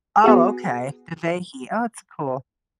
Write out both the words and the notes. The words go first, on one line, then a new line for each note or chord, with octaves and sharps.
Oh okay, "Dhivehi," oh it's cool.
B3 F#4 G#4